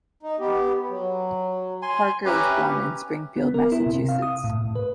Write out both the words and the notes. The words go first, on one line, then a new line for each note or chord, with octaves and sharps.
Parker was born in Springfield, Massachusetts.
D#4
B3 G4
F#3
G#5 C6
C#4 G4 B4 E5 G#5 A#5
B3
A#4
E4
C3
F5
D#6
A2
A2
B4